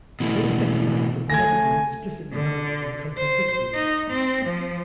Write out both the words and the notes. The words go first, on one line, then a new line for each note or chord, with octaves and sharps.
Homosexual acts have never been explicitly outlawed in the country's history.
B2 E3 A3
A3 G#5 G#6 A#6
D3
C5
D#4
C4
F3